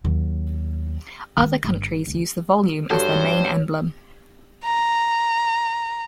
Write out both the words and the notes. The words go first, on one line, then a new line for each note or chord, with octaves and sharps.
Other countries use the volume as their main emblem.
D#2 F#3
D#3 G#3
G1
D2
G2 F#4 G4 A4 C5 C#5
A#5